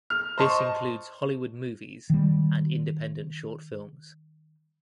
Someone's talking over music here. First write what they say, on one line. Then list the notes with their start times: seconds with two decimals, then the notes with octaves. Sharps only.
This includes Hollywood movies and independent short films.
0.10 F6
0.38 C5 D#5 A5 C6 C#6
2.10 D#3 G3